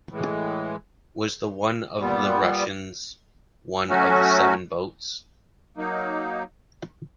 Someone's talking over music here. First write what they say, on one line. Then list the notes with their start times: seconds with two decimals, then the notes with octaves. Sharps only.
Was the one of the Russians one of the seven boats?
0.09 A2 E3 G#3
1.98 A#2 G3 B3
3.88 F#3 A3 C#4 F#4
5.77 F#3 A#3 D#4